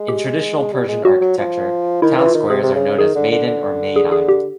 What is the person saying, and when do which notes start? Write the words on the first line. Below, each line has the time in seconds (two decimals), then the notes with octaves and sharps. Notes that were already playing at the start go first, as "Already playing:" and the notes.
In traditional Persian architecture, town squares are known as maydan or meydan.
Already playing: G#3
0.08 G4
0.57 G#3
0.73 G3
0.88 G#3
1.04 F#3 F#4
1.21 F#3
1.38 F3
2.02 D#3 E4
2.18 E3
2.26 F4
2.34 D#3
2.50 C3 G#4
2.63 C3
2.75 C#3
2.98 D#3 G#4
3.15 D3
3.31 D3
3.47 D3
3.96 G#4
4.12 G#4
4.28 G4